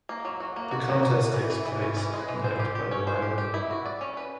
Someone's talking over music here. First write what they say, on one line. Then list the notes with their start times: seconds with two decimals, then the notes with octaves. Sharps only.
The contest takes place at night by the light of the moon.
0.09 A#3
0.25 F#3
0.40 F#4
0.56 A#3
0.71 F#4
0.88 A#3
1.03 F#4
1.19 E3
1.34 E3
1.50 E3
1.65 E3
1.81 C#4
1.97 E3
2.13 G#3
2.29 E3
2.44 C5
2.59 G4
2.75 G4
2.91 C#4
3.07 C5
3.22 G4
3.38 G4
3.54 E4
3.70 F#4
3.86 D5
4.01 C#4
4.17 B4